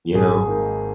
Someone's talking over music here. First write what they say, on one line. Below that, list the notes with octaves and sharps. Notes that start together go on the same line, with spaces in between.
You know?
G#1 G#4
G#2 D#3 A#3